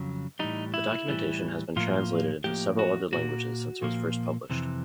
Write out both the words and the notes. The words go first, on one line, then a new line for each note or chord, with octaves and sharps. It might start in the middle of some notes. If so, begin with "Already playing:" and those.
The documentation has been translated into several other languages since it was first published.
Already playing: F2 C#3 F#3
A2 E3 G3 D#4
E4
A2 E3 G3
A2 F3 A#3 F4
A2 F3 A#3 G4
F#4
A#2 F3 A#3 F#4
A#2 F3 A#3
F2 C3 E3